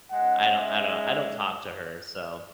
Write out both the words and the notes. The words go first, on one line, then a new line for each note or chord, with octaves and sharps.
I don't I don't I don't talk to her, so
G#2 G#3 C#4 F#5
E5